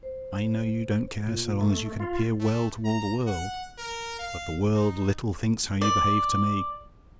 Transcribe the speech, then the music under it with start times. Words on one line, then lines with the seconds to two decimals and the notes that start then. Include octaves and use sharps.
I know you don't care so long as you can appear well to all the world,--but the world little thinks how you behave to me.
0.03 C5
1.27 A#2
1.61 A3
2.00 F4
2.40 A3
2.85 A#5
3.27 F#5
3.78 A#4
4.19 F5
4.74 D#4
5.81 D5